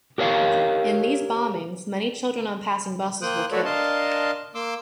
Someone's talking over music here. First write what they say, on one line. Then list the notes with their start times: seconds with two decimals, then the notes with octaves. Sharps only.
In these bombings, many children on passing buses were killed.
0.18 G4 A#4 C#5 F5
3.22 A#3 C5 G5 D#6 F#6
3.52 A3 F#4 A4 B4 C#5 D5
3.65 D4 A#4 D#5 F5 A5 C6
4.55 A#3 C6 D6 E6